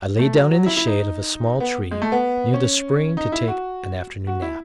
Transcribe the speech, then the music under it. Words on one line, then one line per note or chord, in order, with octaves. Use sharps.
I lay down in the shade of a small tree near the spring to take an afternoon nap.
A3
F#3
F#3
E4
E4
D#4
B3
G#3
A3
B3
C#4
D#4
E4
F#4
F#4
E4